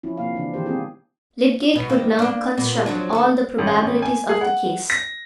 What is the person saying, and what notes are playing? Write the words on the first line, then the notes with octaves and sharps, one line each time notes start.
Lydgate could now construct all the probabilities of the case.
F3 C#4 E4
C3 F3 A#3 F5
C#3 E3 D4
D#3 E3 G4 C5
G#3 B3 C4 F4 G4 G#4
B2
D#3 A#3
A#3 D4
A#2 B3
F3 F#3 D4
D2 A4
A1
A1
G#5
G#4
F#5
A#6